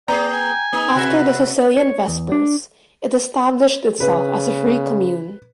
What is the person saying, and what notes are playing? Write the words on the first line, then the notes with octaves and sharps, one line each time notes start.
After the Sicilian Vespers, it established itself as a free commune.
A#3 G#4 D5 G5 A#5
G#5
A#3 D#4 G#4
C3 F#4 B4 E5
C#5
E2
D4
C#3 B4